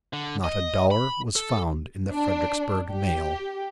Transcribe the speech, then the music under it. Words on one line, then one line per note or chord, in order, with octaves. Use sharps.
Not a dollar was found in the Fredericksburg mail.
D3
D#5
B5
A4
D4
G4